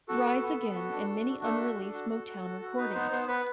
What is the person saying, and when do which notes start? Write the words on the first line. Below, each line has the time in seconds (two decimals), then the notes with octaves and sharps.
Rides Again, and many unreleased Motown recordings.
0.08 F#4 A4
0.25 B3
0.42 B3
0.59 B3
0.76 F#4
0.93 D4
1.10 F#4
1.26 D4
1.43 A3 A4
1.60 F#4
1.77 D4
1.93 F#4
2.10 F#4
2.27 F#4
2.43 F#4
2.61 F#4
2.78 D#4 B4
2.94 B3 C5
3.11 B3 C5
3.28 B3 B4